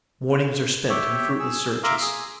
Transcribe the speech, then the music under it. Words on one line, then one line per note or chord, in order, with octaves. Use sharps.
Mornings are spent in fruitless searches.
G4 C#5 E5 G5
G#4 E6
E5 F5 A#5 C6 D6
G#4 D#6